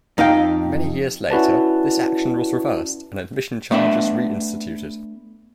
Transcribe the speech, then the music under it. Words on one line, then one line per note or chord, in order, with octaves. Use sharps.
Many years later, this action was reversed and admission charges re-instituted.
F2 D#4 F5 G5
C#4 E4 F#4 B4 D5 A5
A3 B3 D4 E5